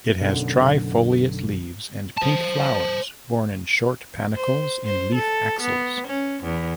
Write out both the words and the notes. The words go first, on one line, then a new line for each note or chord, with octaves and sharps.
It has trifoliate leaves and pink flowers borne in short panicles in leaf axils.
B1 F#2 D3
C5 A5
C5
C5
A4
B3
C#4
E2